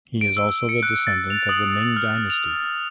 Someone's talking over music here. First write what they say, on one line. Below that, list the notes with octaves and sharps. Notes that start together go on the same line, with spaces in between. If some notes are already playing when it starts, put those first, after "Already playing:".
He is also the descendant of the Ming Dynasty.
D7
E6
C#7
F#6
A6
F7
D#6
F6
F7